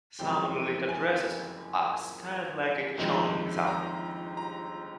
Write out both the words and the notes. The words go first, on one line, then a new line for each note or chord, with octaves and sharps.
Some Lolita dresses are styled like a cheongsam.
F#1 F2 C3 E3 G#3 G5
G#5
G1 F2 C3 D#3 G#3
A#5
A#5